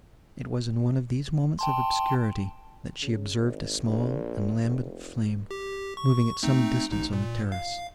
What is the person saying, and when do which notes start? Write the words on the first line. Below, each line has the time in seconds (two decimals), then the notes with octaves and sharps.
It was in one of these moments of obscurity, that she observed a small and lambent flame, moving at some distance on the terrace.
1.59 G5 A5 C6
3.02 C#3
3.37 G#1
3.87 A#1
4.63 F1
5.51 G4
5.97 C#6
6.43 A3 C4 D#4
6.91 A1 D#4
7.12 A#2
7.52 F5